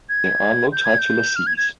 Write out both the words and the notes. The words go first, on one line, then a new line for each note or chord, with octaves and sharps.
There are no titular sees.
G#6
G6
G#6
G6
F6
G#6
G#6